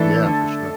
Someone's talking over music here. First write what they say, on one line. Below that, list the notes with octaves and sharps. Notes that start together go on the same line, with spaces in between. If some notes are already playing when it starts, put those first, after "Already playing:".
Yeah, for sure.
Already playing: E3 A3 D4 A4
D3